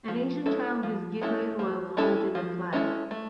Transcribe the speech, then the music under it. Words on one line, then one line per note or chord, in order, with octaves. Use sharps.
An Asian child is giggling while holding a flag.
F3
G#3 C#4 E4 A4
F3
G#3 C#4 E4 A4
F3
G#3 C#4 E4 A4
F3
G#3 C#4 E4 A4
A3